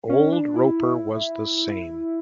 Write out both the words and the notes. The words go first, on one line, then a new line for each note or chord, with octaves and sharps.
Old Roper was the same.
C#4
D4
E4